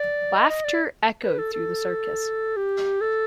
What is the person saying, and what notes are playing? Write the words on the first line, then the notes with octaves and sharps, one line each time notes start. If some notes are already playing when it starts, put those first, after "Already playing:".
Laughter echoed through the circus.
Already playing: D5
D#5
D#5
D5
B4
A4
A4
G4
A4